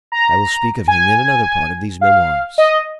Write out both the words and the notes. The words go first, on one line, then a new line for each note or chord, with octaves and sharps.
I will speak of him in another part of these Memoirs.
A#5
G#5
F5
D#5